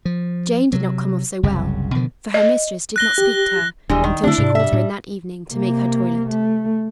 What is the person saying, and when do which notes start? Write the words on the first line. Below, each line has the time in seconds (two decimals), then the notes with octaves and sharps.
Jane did not come off so well, for her mistress did not speak to her until she called her in that evening to make her toilet.
0.05 F3
0.73 C3 F#3
1.43 F#1 C2 F#2 C#3
1.95 B2 D3 D#3 F3
2.34 D#5
2.96 F#6 A#6 G7
3.18 G4
3.89 D#1 E3 G3 G#3 D4
4.04 D#3
4.24 D3 A3 C4 D4 E4
4.38 G#2 C3
4.55 G3 E5
4.73 A2 D4
5.52 C3 A#3
6.30 A3